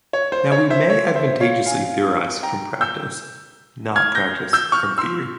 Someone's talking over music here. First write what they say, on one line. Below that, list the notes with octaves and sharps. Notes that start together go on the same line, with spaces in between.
Now we may advantageously theorize from practice, not practice from theory.
C#5
C5
C#5
C5 E5
C#5
C5 E5
C#5 F5
F5 G#5
G5 A#5
E6 G6
F6 G#6
G6 A#6
E6 G6
C#6 F6
C6 E6